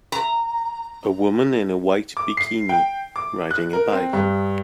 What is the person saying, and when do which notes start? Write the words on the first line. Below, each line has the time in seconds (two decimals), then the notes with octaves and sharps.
A woman in a white bikini riding a bike.
0.12 A#5
2.17 D6
2.37 C7
2.69 G5
3.16 D6
3.51 F#6
3.73 A#4
3.93 C4
4.13 G2